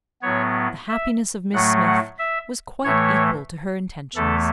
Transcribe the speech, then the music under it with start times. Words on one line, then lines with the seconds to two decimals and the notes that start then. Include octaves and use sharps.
The happiness of Miss Smith was quite equal to her intentions.
0.22 A2 F#3 B3 C#5
0.88 E5
1.53 A2 F#3 A3 F#5
1.86 F#5
2.19 E5
2.84 A2 E3 A3 C#5
4.15 E2 E3 A3 A4